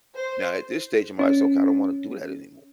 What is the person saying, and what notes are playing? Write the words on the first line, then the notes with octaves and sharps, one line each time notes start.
now at this stage, I'm like, "So, okay, I don't wanna do that anymore."
C5
C#4